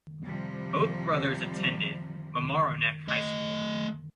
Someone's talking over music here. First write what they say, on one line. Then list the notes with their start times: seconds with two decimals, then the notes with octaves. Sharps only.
Both brothers attended Mamaroneck High School.
0.25 C3 F3 G3
3.08 A3 D#5